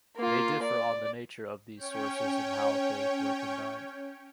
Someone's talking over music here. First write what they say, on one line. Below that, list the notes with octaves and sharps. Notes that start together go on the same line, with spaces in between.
They differ on the nature of these sources and how they were combined.
A#3 F4
D5
C#4 C#5 G5